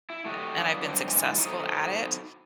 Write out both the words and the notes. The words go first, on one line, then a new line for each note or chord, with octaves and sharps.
a and I've been successful at it,
E4
A3 F#4 G4 D#5
C#3 E3 F#3 B3 D4 D#4
G2 D3 F#3 C4 C#4 D#4
G#2 D3 E3
D#4 F#4 A4 C5 D#5